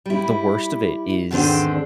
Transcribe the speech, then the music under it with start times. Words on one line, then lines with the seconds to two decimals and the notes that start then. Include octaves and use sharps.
the worst of it is
0.06 G3 E4
1.31 E2 G#2 D3 D#3 C4 D4